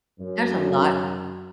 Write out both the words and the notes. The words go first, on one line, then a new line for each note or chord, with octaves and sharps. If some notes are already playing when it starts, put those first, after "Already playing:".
There's a lot
F#2